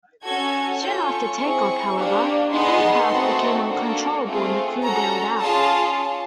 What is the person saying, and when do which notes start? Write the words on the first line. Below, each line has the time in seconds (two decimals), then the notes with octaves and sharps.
Soon after takeoff, however, the aircraft became uncontrollable, and the crew bailed out.
0.23 C#4 F#4 A4 G#6
0.81 C#4 F4 A4 G6
1.09 C#6
1.38 C4 E4 G#4 C#6
1.96 A#3 D4 G4
2.52 B3 D#4 G#4 C6
3.10 A3 C4 D#4 F#4 A4
3.67 A#3 D4 F#4 A4
4.25 A3 C4 F4 G#4
4.82 C#4 F#4 A4 A#5
5.39 C#4 F4 G#4 A5